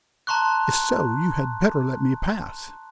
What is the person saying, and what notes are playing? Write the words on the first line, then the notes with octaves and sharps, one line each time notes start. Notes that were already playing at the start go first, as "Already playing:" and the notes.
"If so, you had better let me pass."
A5 A#5 C6 C#6 F#6